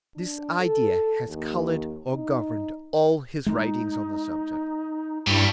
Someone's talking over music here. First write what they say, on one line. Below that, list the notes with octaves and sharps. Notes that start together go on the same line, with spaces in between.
This idea has coloured or governed all his writings on the subject.
D4
A4
D#2
D#4
G#3 A3 D#4
G2 C#3 G3 E4